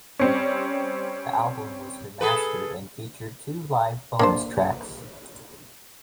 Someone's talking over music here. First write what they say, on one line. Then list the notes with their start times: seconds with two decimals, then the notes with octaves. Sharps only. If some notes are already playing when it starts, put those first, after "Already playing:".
The album was remastered and features two live bonus tracks.
0.19 G3 C4 C#4
2.21 G#4 A4 B4
4.19 A#3 D4 C5